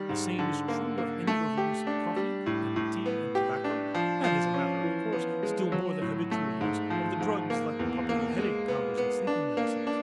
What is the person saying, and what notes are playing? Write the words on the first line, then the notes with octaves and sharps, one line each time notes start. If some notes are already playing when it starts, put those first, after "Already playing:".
The same is true of any overuse of coffee and tea and tobacco, and as a matter of course still more the habitual use of the drugs like the popular headache powders and sleeping medicines.
Already playing: D#3 G3
G#2
D3
A#3
A#3
A3
G4
D4
G3
A2
A2
B3
G4
D4
F3
F3
C#4
E3
B3
G#3
F#3
A2
A3
G#2
F3
G#2
A#3
E2
A#3
G#3
B3
B3
D4
A#3
D4